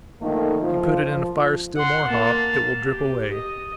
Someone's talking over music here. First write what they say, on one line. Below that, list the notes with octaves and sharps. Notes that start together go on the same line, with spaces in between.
If you put it in a fire still more hot it will drip away.
D3 D#3 F3 A3 A#3 D#4
F3
F#5 C6
A#3 A5
G4
D#5